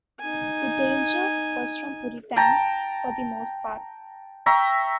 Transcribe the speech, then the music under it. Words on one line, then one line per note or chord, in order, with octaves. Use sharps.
The danger was from Puritans, for the most part.
D#4 G#5
G5 A5 A#5
E5 G5 A#5 C#6